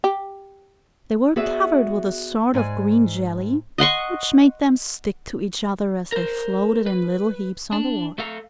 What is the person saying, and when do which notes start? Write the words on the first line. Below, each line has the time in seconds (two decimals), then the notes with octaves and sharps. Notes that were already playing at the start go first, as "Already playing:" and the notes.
They were covered with a sort of green jelly which made them stick to each other as they floated in little heaps on the water.
0.04 G4
1.36 B3 F#4 G#4 B4 D5 E5
2.54 G#2 D5 G5 G#5
3.78 D#5 F#5 C6 C#6
6.12 A#4 C5
6.86 B4
7.72 D4
8.18 A3 A4 F5